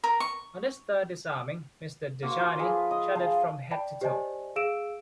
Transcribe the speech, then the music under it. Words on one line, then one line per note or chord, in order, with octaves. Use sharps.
On this third disarming, Mr. De Charny shuddered from head to toe.
A#4
C#6
A#3 F#4 C5
F4 A#4 C5
F3 G#4 B4 G#5
D#5
G#4 C5 F5 A5
D5 G5 A5 B5
G4 C5 D5 D#5 G#5 A5
G#4 F5 E6 D7 E7